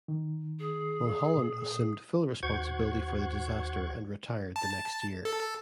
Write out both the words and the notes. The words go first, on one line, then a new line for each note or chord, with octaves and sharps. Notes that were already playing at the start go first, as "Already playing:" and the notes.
Mulholland assumed full responsibility for the disaster and retired the next year.
D#3
G#4
A#2
D#2 F#4 C5 F#5 C#6 G#6
A5
A4